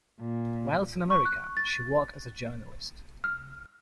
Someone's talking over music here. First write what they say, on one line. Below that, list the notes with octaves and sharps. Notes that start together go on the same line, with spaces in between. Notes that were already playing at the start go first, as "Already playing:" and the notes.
Whilst in America she worked as a journalist.
A#2
C#6
F#6
A6
F6